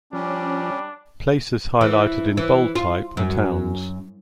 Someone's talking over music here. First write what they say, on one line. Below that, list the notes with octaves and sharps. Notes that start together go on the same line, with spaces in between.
Places highlighted in bold type are towns.
F3 G3 C#4 D4
E3
E3
F4
F#2